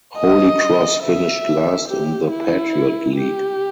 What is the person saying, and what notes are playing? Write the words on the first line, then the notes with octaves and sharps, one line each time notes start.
Holy Cross finished last in the Patriot League.
D#5
E5
G4
E4
G4